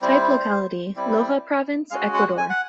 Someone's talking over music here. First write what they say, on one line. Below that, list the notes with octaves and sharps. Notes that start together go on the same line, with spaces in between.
Type locality: Loja Province, Ecuador.
G3 C4 E4 C5
G3 C4 E4
G#3 C#4 F#4 F5
F#5
G#5
F#5